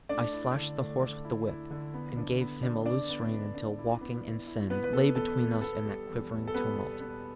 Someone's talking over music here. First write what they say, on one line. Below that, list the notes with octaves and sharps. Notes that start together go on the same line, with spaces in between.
I slashed the horse with the whip, and gave him a loose rein until Woking and Send lay between us and that quivering tumult.
A3 D4 D5
E4
D3
A3
D3
E4
E4
D3
B3
D4
B3
D4
D4 D5
B3
B3
D4
E4
B3
E4
E4
B2 B3 B4
B4
B2 A4
E2 A4
B2
B3 A4
G3
E2
E2
A4
G3 B3 B4
B2
B3